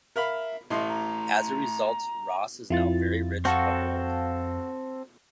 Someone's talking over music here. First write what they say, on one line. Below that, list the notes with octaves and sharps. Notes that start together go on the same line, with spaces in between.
As a result, Ross is now very rich but old.
A#4 E5 F5 B5
A1 A2 D#5 C6
A#5
F2 E4 F4 A6
C4 F#4 A4 F5 A5